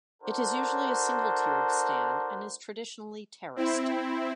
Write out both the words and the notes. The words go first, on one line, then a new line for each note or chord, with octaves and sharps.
It is usually a single-tiered stand and is traditionally terraced.
D4 F#4 A4 A#4 C5
C4 E4